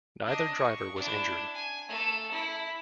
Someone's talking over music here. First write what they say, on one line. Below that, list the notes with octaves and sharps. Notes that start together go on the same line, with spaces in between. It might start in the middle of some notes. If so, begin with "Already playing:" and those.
Neither driver was injured.
D4 D#5
C#6
D4 E4
G#5
A3 A4
E4